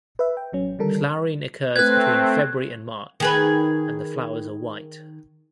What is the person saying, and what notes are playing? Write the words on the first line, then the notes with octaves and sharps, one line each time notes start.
Flowering occurs between February and March and the flowers are white.
B4 E5
G5
A1 F#3 C#4
D3 D#3 G3 A4 A#4
A3 C4 B4 F#6 G#6
D#3 G#4 B4